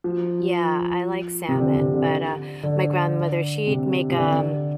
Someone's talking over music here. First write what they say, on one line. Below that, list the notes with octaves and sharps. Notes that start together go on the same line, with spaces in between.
Y yeah, I like salmon, but, uh, my grandmother, she'd make, um
F3
C3
D3
C3
D3
D3
C3
C3
D3